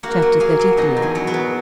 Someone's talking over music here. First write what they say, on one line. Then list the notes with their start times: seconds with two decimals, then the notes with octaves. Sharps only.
Chapter XXXIII.
0.03 A#3 F#4 F#5
0.22 F#3
0.40 A#3 G#4 G#5
0.59 F#3
0.77 B2 D#4 D#5
0.97 E2
1.02 G#4 G#5
1.15 F#3
1.27 B3 B4
1.34 F#3